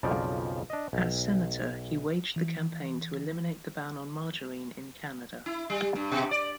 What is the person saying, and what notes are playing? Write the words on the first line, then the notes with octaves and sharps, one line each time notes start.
As Senator, he waged the campaign to eliminate the ban on margarine in Canada.
B1 F2 C#3 F3 D5
D4 D#5
B1
E3
E4
G3
G2
B2
D5